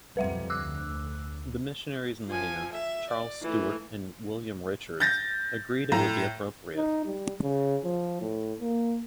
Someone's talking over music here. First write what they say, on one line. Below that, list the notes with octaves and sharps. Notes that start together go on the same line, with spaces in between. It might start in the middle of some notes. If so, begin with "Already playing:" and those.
The missionaries in Lahaina, Charles Stewart and William Richards, agreed it would be appropriate.
B1 F2 G3 B4 E5 F#5
D2 D6 E6 F#6
F3 G#5
E5
D5
E3 A3
G6 A6 A#6
A2 A#5
D#4
G3
C#3
F3
A2
A#3